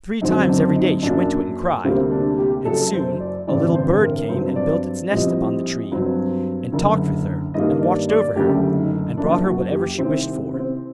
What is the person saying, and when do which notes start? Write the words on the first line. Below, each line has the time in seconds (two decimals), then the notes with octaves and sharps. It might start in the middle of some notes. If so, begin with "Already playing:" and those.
Three times every day she went to it and cried; and soon a little bird came and built its nest upon the tree, and talked with her, and watched over her, and brought her whatever she wished for.
0.21 F#2 D3 F#3 C4 D#4
0.48 D4
0.75 D#4
1.03 F#2 F#3 A#3 D4
1.84 D2 C3 G3 A#3 C4
2.11 D4
2.38 G4
2.65 F#1 F#2 F#3 A4
2.93 C5
3.20 D5
3.47 A1 G2 D3 G3 C4 D5
3.75 C5
4.02 A#4
4.28 G2 F#3 C4 C5
4.56 D5
5.10 A#1 A2 G3 C4 D#5
5.91 G2 F#3 C4
6.72 F#1 F#2 D3
7.54 G2 D#3 G3 A#3 D#5
7.82 D5
8.09 D5
8.35 F#1 F#2 D3 A3 G4
8.76 D#4
9.17 F#1 F#2 F#3 A#3 D4
9.44 F#4
9.71 G4
9.98 C2 C3 D#3 C4
10.53 C4